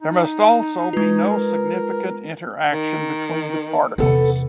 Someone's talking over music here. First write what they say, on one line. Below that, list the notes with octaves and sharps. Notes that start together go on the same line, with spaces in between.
There must also be no significant interaction between the particles.
D#4
G#3 F4 B4
A#4
D#3
E2 C3 B3 A4 F#5